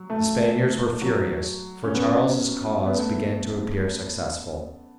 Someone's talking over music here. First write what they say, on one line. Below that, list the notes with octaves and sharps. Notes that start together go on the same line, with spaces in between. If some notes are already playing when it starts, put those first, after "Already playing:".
The Spaniards were furious, for Charles's cause began to appear successful.
Already playing: F#3
A3
F#3
C#4
B3
B3
A3